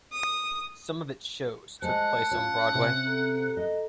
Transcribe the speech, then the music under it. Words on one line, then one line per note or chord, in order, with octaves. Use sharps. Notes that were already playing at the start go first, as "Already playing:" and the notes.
Some of its shows took place on Broadway.
D#6
G#3 C5 F#5 G#5 A5
C#4 F4 C#5
C3
A4 A#5
D#5